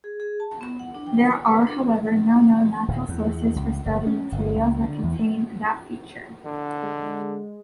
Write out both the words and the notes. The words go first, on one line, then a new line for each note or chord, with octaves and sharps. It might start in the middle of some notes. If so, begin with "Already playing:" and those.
There are however no known natural sources for starting materials that contain that feature.
G#4
G#4
A5
B3
F#5
D4
G5
B4
G#5
B4
D4
D1
E2
C#2
F#1
C#4
G1
C#2
D3
E2
A3
D3
G#3